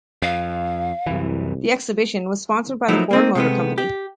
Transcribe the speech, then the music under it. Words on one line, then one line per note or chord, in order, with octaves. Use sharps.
The exhibition was sponsored by the Ford Motor Company.
F2 F5
C2 F#2 E3
F3 F#3 A3 A#3 D#4 E4
A#3 C4 D#4
C3 G#3 A3 B3
G4